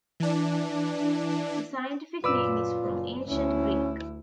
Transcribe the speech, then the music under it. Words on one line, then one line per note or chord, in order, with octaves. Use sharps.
The scientific name is from Ancient Greek.
E3 D4
F#2 A#2 F4 B4 D5 E6
F#1
D2 C#4 E4